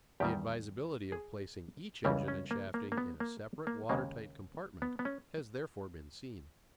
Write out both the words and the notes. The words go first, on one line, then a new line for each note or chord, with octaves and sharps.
The advisability of placing each engine and shafting in a separate water-tight compartment has therefore been seen.
E2 D#3 G3 G4
G#4
C#2 C#3 E3 G3 A#4
C#4
A#3
A#3
A#3
B3
A#3
A#3
D#2 C#3 G#3 A#3
B3
B3
C#4